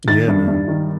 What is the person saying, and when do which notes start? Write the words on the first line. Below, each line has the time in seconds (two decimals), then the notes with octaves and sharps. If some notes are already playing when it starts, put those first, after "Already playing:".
Yeah, man.
0.08 D#3 A6
0.28 G2
0.48 G2
0.68 D#3